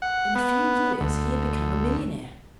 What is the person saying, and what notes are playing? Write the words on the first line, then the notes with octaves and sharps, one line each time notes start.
In a few years, he had become a millionaire.
F#5
B3
D2